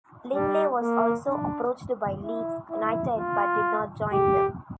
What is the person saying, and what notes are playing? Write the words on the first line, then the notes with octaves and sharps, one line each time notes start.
Lindley was also approached by Leeds United but did not join them.
G3
A#3
D4
E4
E4
F4
G4